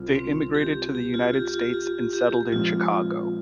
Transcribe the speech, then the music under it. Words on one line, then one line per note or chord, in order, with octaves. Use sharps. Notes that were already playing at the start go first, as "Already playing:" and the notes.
They immigrated to the United States and settled in Chicago.
Already playing: C2 C3 G3 F4
C4
G4
G4
F4
G4
F4
G4
G4
A#2 F3 G#3 C4 F4